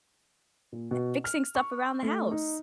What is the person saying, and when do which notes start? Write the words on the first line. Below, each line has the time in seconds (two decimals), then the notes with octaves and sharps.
e fixing stuff around the house
0.72 A#2
0.91 B2
1.24 F6
1.55 C#6
2.03 A3
2.31 D#4